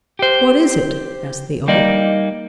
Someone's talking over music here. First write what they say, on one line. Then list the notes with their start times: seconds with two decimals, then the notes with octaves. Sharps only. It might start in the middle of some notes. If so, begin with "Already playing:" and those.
"What is it?" asked the Oak.
0.19 G4 C5
1.68 G3 A#3 D#4 D5